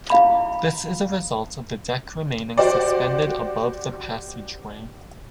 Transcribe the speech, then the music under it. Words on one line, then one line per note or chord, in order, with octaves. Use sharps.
This is a result of the deck remaining suspended above the passageway.
E4 F5 B5
F#4 G4 C5 D5